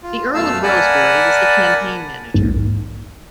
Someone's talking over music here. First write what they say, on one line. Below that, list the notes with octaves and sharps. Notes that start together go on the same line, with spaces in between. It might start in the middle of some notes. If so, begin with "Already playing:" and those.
The Earl of Rosebery was the campaign manager.
F4
F#2 B2 A3 F5 A5 E6
A#4 D5 F#5 G#5 A5 B5
A#1 D#2 G#2